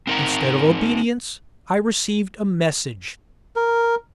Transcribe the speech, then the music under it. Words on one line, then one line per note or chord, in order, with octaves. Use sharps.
Instead of obedience, I received a message.
C4 D#4 A#4 C#5 F#5 A#5
A#4